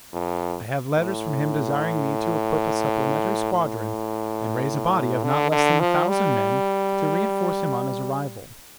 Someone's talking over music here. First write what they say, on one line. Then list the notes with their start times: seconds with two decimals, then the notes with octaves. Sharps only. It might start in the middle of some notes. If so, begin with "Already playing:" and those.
I have letters from him desiring me to equip a supplementary squadron and raise a body of not less than a thousand men to reenforce him on his arrival.
0.13 F2
0.98 A2
3.53 A2
5.24 D3
5.51 D3
5.80 F3
6.08 G3